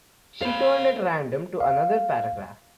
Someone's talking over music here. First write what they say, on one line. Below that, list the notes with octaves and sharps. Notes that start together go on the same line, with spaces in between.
She turned at random to another paragraph.
A4 C5 F5 B5
F5